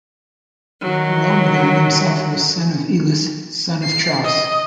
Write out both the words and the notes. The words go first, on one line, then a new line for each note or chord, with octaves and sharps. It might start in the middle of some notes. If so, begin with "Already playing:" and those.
Laomedon himself was son of Ilus, son of Tros.
D#3 F#3
C7
D#5